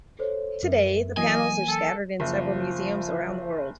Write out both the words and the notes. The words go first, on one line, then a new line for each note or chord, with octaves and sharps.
Today the panels are scattered in several museums around the world.
A4 C5 C#5
F#2 A#4 B4 E5
E3 F#3 A#3 D#5 G#5
A4
F#1 F3